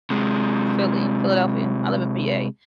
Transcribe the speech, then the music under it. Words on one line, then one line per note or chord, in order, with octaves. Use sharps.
Philly, Philadelphia. I live in PA,
C3 G#3